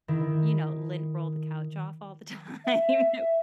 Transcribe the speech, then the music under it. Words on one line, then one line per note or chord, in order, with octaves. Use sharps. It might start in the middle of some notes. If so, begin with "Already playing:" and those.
you know, lint roll the couch off all the time.
D#3 E4
E5